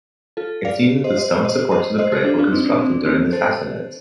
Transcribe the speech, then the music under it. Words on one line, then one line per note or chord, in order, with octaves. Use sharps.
It seems that the stone-supports of the bridge were constructed during the Sassanids.
F4 A4
D5 F5
C5 D#5
C5 D#5
C5 D#5
C5 D#5
C5 D#5
A4 C5
D4 F4
D4 F4
C4 D#4
D4
C4
D4
C4 D#4
A4 C5